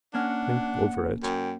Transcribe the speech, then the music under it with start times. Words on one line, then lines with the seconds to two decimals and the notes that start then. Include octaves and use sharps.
Think over it.
0.14 A#3 C#4 D4 F#5 F6
1.23 F#2 G5